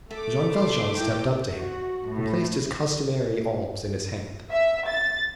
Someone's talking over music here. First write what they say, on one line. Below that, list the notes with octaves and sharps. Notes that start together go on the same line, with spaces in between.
Jean Valjean stepped up to him and placed his customary alms in his hand.
A3 A4 E5 D6
C6
D#3 E4 F4 G5
F#4
A2
E5
A6